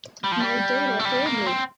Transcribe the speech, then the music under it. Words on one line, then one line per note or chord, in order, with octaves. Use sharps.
My data told me.
G3
F3
G3
A3
G3
A#3
C4